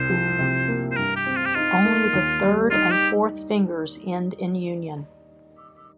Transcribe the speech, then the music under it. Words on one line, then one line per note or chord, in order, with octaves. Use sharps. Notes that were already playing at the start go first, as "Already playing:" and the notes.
Only the third and fourth fingers end in union.
Already playing: C2 G3 C5
F3
C3
A#3
C5
G2 A#4
G4
C4
F4
G4
D#4 F4
A#3
D#2
G3
D#4 F4
G4